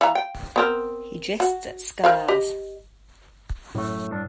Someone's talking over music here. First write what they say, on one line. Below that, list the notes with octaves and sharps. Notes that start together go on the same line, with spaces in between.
He Jests at Scars...
E3 F5 A#5
G5
B3 C4 A#4
F#4
A#4 C5 F5
G4 D#5
F#2 A2 A3
G2 D4